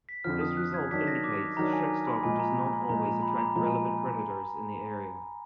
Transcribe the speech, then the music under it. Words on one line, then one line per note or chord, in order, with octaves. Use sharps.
This result indicates schreckstoff does not always attract relevant predators in the area.
B6
F2 D3 F3 F6
D#6
F#6
G#6
D#3 F#3 D4 B6
A#6
D6
D#3 F#3 D4 A#5
G#5
A#5
B5
A#2 F3 G#3 G#5
A#5
A#5
A#5
A#2 F3 G#3 A#5
A#5
B5
A#5
A#2 F3 G#3 A#5
G#5